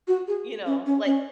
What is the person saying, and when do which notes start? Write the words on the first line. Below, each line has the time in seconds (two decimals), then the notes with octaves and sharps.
Y you know, like
0.08 F#4
0.28 G#4
0.66 C#4
0.86 C#4
1.05 C#4